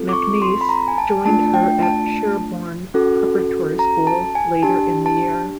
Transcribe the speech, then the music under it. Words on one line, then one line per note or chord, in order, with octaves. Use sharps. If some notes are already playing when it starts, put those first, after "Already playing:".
MacNeice joined her at Sherborne Preparatory School later in the year.
Already playing: C4 F4 A4
D6
C#6
C6
B5
A#5
G#5
A5
A3 D4 F4 A5
G5
A5
C#4 F#4 A4
A#5
A5
G#5
D4 G4 A5
A5